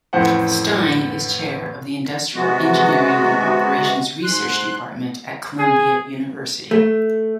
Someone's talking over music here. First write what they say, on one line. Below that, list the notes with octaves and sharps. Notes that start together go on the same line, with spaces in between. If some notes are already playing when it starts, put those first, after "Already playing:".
Stein is chair of the Industrial Engineering and Operations Research Department at Columbia University.
A1 F2 A2 C5 F#5
C3 G#3 B3 F#4
G#2 C6 F#6
G#4
A3